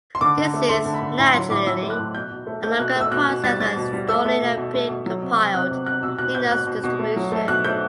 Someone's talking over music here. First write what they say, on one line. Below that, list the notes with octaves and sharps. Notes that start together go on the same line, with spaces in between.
This is, naturally, a longer process than installing a pre-compiled Linux distribution.
C6
D3 D6
D3
A3
A3 C6
D3
B5
D3
A2 B5
F#3 C6
A2 D6
F#3 E6
A3
F#6
A2
B2 G6
B2
A3
A3 G6
B2 F#6
A3 E6
B2 F#6
B2
G3 A6
G3 A6
B2
G3
A3 E6
A3
B2
B2
A3
B2
F#3
C3
C3
C3 F#6
C3
C3 F#6
B2 E6
B2 F#6
B2 G6
B2 F#6
B2
B2
A3
F#3
A3
B2 F#6
A3 G6